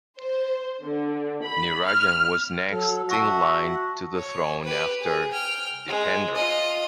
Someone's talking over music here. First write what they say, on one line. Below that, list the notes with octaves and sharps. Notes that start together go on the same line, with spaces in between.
Nirajan was next in line to the throne after Dipendra.
C5
D3
B5
F6
F#3 A4
F#4 E5 F#5 A5 C#6 A#6
C#5
G4 B4
G#4
G5 F6
G#3
F4 D#5